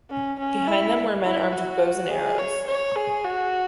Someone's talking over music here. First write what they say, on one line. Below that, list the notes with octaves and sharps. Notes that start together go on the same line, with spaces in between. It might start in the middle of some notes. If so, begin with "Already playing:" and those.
Behind them were men armed with bows and arrows.
C#4
C#4
E4
E4
F#4
G#4
C#5
C#5
G#4
F#4